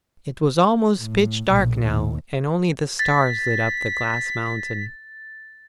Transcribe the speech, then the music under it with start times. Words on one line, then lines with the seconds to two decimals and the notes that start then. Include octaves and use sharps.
It was almost pitch dark now, and only the stars lit up the Glass Mountain.
0.99 A2
1.48 B1 A#2
1.84 D#2
2.99 A6 B6